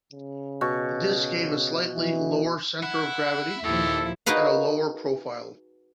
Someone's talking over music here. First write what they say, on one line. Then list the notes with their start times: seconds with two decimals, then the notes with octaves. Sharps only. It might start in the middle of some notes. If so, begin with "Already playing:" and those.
This gave a slightly lower center of gravity and a lower profile.
0.13 C#3
0.61 B2 C#6
1.92 E3
2.83 E4 F#5
3.64 D#2 A#2 D#3 F3 E4 G4 A4
4.26 D#4 F#4 G#4 A#4 B4 F5